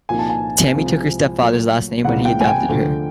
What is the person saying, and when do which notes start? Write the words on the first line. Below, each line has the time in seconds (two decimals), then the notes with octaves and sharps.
Tammy took her stepfather's last name when he adopted her.
0.09 C2 A#2 F3 A#3 D#4 G#5
0.19 A5
0.29 G#5
0.74 C2 C3 F3 G#3
1.39 A#2 F#3 A3
2.04 C#2 C3 E3 G3 A#3 F#5
2.25 G5
2.41 G#5
2.48 G5
2.69 D2 D3 F3